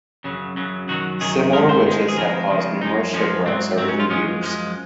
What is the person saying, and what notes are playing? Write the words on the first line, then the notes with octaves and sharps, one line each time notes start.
Similar witches have caused numerous shipwrecks over the years.
F#2 C#3 F#3
F#2 C#3 F#3
F#2 D#3 F#3 F#4
F#2 D#3 F#3 G#4
G#2 D#3 G#3 A#4
C5
G#2 D#3 G#3
G#4
F2 C#3 F3 G#3 A#4
F2 C#3 F3 G#3
F#2 F3 G#3 D#4
F#2 F3 G#3 C#4
G#2 F#3 C4
G#2 F#3 C4
C#4
F4
F#2 F3 G#3 C#4
F#2 F3 G#3 A#3